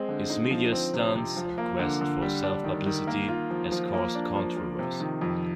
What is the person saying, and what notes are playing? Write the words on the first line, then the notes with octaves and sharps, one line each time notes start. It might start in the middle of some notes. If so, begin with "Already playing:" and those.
His media stunts and quest for self-publicity has caused controversy.
Already playing: G#3 C4
D3
D#4
F3
C4
C3
C3
F3
A#3
D3
D3
G3
D4
D#3
D#3
A#3
F4
F3
F3
A#3
D4
F3
F3
C3
D#3
F2